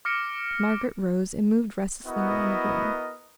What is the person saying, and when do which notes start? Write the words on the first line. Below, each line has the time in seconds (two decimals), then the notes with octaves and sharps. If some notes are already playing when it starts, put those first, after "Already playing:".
Margaret rose, and moved restlessly around the room.
0.05 D6 F6 A#6 C#7 D7
2.06 B3 E4 F#4 A#4 D#5